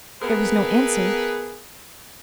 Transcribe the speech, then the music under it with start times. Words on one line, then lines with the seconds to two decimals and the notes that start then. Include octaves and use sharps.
There was no answer.
0.22 A3 B3 G#4 A#4 B4